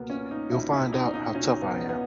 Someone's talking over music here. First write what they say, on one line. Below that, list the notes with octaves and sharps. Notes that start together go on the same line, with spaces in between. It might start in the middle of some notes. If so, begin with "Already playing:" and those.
You'll find out how tough I am.
Already playing: C#2 B2 A#3 B3
C#4
D#4
C#2 B2 E4
E4
D#4
D#4
C#2 B2 C#4
B3
B3